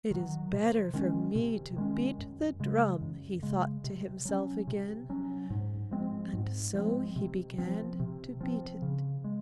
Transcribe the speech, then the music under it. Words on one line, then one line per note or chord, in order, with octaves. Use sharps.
'It is better for me to beat the drum,' he thought to himself again, and so he began to beat it.
D#3 F#3
C3
D#3 G#3 C#4
C3
D#3 G#3 C#4
F#2
C#3 G#3
F#2
C#3 G#3
C3
F#3 C#4
C3
F#3 C#4
G#2
F3 G#3 C4
G#2
F3 G#3 C4
C3
F3 C4
C3
F3 C4
C#3
G#3